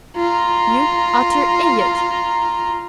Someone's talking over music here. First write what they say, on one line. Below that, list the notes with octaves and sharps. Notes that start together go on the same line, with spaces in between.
You utter idiot!
F4 A#5